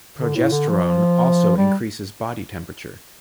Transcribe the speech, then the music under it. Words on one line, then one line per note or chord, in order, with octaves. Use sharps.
Progesterone also increases body temperature.
D3
A2
D3
F3
G3